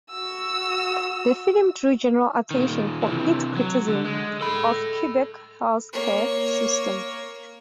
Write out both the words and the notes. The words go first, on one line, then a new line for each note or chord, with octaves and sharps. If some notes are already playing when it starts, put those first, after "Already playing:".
The film drew general attention for its criticism of Quebec's health care system.
F#4 E6
A#2 D#3
C3 E3
F#3
D3
G#3
A4 B5
A#3 C#5